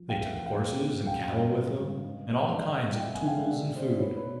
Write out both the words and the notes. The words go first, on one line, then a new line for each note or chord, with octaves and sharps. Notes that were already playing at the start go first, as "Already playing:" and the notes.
They took horses and cattle with them, and all kinds of tools and food.
Already playing: F3
F2 F5 G5
E5 F#5
E3 E5 F#5
F5 G5
A#2
A#2
F#2 F5 G5
G3 D#5 F5
G#2
G3
G2
G#3
G2 D5 E5
G3 D#5 F5
G5
C3 E5 F#5
F#5 G#5
G#3 F5 G5
E5 F#5
B2 D5 E5
A3 C5 D5
B2 B4 C#5
B4 C#5
B2